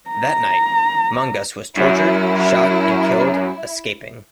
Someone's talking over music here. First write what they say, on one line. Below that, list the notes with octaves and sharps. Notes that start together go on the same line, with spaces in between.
That night, Mangas was tortured, shot and killed "escaping".
A#5
F#2 E4